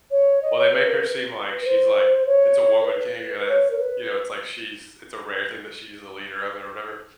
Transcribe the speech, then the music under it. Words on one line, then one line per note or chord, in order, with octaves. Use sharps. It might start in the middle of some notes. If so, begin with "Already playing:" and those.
Well, they make her seem like she's, like it's a woman king, and it's, you know, it's like she's it's a rare thing that she's the leader of it or whatever,
C#5
D#5
C#5
B4
A#4
B4
C5
C#5
A#4
B4
C#5
A#4
B4